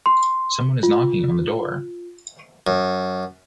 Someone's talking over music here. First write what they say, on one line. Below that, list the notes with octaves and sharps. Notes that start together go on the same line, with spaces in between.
Someone is knocking on the door.
C6
F4
F#2